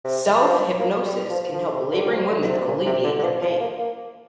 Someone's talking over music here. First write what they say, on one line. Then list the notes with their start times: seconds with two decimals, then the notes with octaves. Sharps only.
Self-hypnosis can help laboring women alleviate their pain.
0.04 C3
0.42 F3
0.79 A#3
1.05 G3
1.30 F3
1.54 F3
1.73 C3
1.92 D3
2.01 G3
2.11 F3
2.30 D3
2.48 C3
2.67 A#2
2.86 C3
3.04 D3
3.19 D3
3.23 F3
3.41 F3
3.61 A#3
3.79 A#3